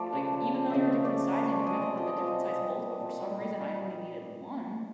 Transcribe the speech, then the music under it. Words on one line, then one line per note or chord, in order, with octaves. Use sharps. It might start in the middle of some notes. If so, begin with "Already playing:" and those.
like, even though you're a different size and you're meant for the different size bolts, but for some reason I only needed one.
Already playing: F3 A3 D5
C#3
F3
F3
C#3 D#5 E5
A3
D5
A3
G#3 C#5
G#3 D5
D#5
C3
D5
F3 D#5
D5
F3 D#5
C3
G3
G3
A#2
G3
G3
G3